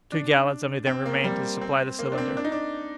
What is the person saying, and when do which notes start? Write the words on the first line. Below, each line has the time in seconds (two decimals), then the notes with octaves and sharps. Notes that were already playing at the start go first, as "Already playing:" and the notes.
Two gallons only then remained to supply the cylinder.
0.12 D4
0.87 C4
1.06 A#3
1.24 G3
1.61 C4
1.99 A#3
2.12 D4
2.18 C4
2.37 D4
2.44 D#4
2.52 D4